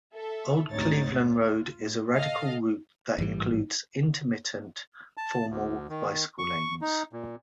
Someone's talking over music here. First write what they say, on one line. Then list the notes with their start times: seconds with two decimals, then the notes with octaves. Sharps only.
Old Cleveland Road is a radial route that includes intermittent, formal bicycle lanes.
0.14 A4 E5
0.71 G#1 D2 C3 D#4 C#5 A6
1.16 F4
1.80 A2
2.16 A4 D#5 F5
3.18 A1 G#2 E3 G3
5.17 A5
5.50 D2
5.89 D#3
6.38 C#6
6.81 D#4
7.13 A#2